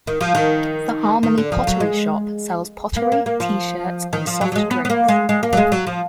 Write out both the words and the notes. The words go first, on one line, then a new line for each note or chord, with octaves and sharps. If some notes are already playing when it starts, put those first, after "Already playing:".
The Harmony Pottery Shop sells pottery, T-shirts, and soft drinks.
D#3
F3
D#3
D#3
D3
F3
F#3
G#3
A#3
A#3
A#3
F3
D#3
F3
F#3
F#3
G#3
B3
B3
A#3
G#3
G#3
A#3
F#3
G#3
F#3
F3